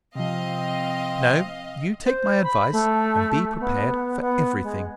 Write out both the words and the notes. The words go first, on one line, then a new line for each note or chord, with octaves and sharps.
No, you take my advice, and be prepared for everything.
C3 F3 C4 D#5 F5
C5
B5
A3
B3
B3
G#3